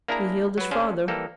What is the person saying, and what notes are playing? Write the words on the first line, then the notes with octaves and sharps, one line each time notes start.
He hailed his father.
A#3 D4 E4 G#4 A#4 A#5
F#3 B4
C#4 D4 G#4 C5 F5
E3 G3 A#3 A4